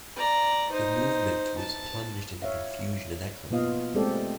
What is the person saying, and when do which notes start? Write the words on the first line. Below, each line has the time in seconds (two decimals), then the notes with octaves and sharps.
The movement was plunged into confusion and acrimony.
0.16 D5 A#5
0.72 D#4 C5
1.58 A5
2.42 C#5 E5 F5
3.51 B2 A#3 B3 F4 D#5 F5
3.95 G#3 A3 C4 G4 A4 D5